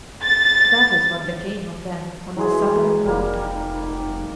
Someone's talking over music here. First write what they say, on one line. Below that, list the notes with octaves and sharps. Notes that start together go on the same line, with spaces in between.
That is what became of them on the southern route.
A6
E3 F#3 G#3 G#4
F1 G3 A#3
D#4